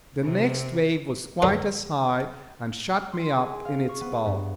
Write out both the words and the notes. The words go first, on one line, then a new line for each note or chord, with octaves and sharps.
The next wave was quite as high, and shut me up in its bulk.
C3
G2 D3 F#3 G#3 B3
C6
G#4
F5
C#6
B3
G2